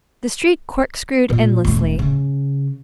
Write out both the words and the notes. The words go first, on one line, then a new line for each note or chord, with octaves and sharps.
The street corkscrewed endlessly.
A#2
D#1 A3
C#3